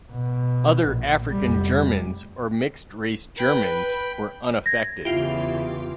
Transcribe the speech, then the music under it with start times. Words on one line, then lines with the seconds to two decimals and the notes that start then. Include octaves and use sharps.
Other African-Germans or mixed race Germans were unaffected.
0.12 B2
0.83 A#1
1.31 F1 G3
3.39 B4 G5 B5
4.66 G#6 A#6
5.05 E2 C#3 E4 F4 G4